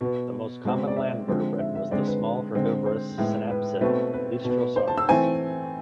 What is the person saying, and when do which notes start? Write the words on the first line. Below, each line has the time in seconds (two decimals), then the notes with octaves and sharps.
The most common land vertebrate was the small herbivorous synapsid "Lystrosaurus".
0.01 B2 B3
0.64 B2 G#3 C4
0.88 D5
0.96 E5
1.28 D3 F3 G#3 C4
1.59 E5
1.75 E5
1.91 D3 G#3 C4 D5
2.07 B4
2.54 D3 G#3 C4
2.86 C5
3.18 A2 G#3 B3
3.50 B4
3.81 B2 A3 C4 B4
4.13 B4
4.44 B2
4.50 B3
4.76 C5
4.88 A5
4.98 E6
5.09 E3 A3 C4 G#5